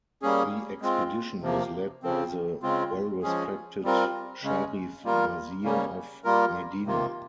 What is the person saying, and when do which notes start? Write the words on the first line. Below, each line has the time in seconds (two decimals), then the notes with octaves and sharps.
The expedition was led by the well-respected Sharif Nasir of Medina.
0.22 G3 A#3 C#4 G#4
0.81 G#3 C4 F4
1.42 C3 F3 A#3
2.03 C#3 F3 C4
2.62 C#3 G#3 C4 F4
3.22 F3 G#3 C#4 G#4
3.83 G3 C4 F4 A#4
4.43 C#3 G#3 C#4
5.04 G3 A#3 F4 A#4
5.64 C#3 G3 A#3 C#4
6.24 G3 A#3 F4 A#4
6.85 C3 D#3 A#3 F4